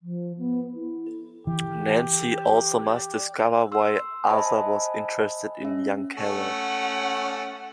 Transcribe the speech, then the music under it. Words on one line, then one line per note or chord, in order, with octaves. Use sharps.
Nancy also must discover why Asa was interested in young Carol.
F3
B3
E4
E3 G4
C6 E6
C5 D#5 E5 G#5 A5 B5
C#4 E5
A3 C#4 F#5